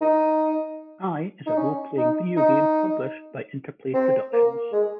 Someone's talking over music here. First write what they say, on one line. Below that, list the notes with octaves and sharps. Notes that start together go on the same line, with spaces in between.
I is a role-playing video game published by Interplay Productions.
D#4
D#4
C#4
D#4
D#4
C4
A#3
G#3